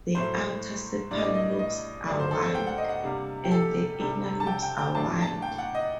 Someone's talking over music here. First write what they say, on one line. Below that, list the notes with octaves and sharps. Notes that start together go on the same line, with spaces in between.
The outer sepal lobes are wide and the inner lobes are wide.
A2 F#3 A3 C5
A2 G3 D4 D5
D#5
D5
D#5
D#5
G2 D#3 F#3 A3 D5
C5
A4
C5
G5
F#5
D#5
F#5
C3 G3 A#3 D4
G4
A4
C3 D#3 G3 D4
A5
G5
G5
G5
A2 F#3 A#3 D4 A5
A5
G5
F#5
D#5